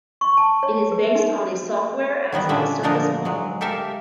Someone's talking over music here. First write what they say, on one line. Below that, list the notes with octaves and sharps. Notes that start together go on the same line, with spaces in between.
It is based on a software as a service model.
C#6
A5
C#5
B4
E5
D#4
D#3 G3 B3 D#4
A#2 D3 C#4 D4 E5
D3 F3 D4 D#4 A#4 D#5
F#3 G#3
G4 A4 A#4 E5 F5